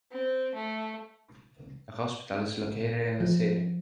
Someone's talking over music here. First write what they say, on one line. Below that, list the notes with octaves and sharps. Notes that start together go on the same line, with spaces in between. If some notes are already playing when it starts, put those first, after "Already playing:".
A hospital is located in the city.
C4
A3
F3